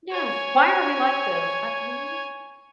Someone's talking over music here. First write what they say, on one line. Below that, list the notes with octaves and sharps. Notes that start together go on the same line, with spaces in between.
Yes, why are we like this? I you know
C#5 G#5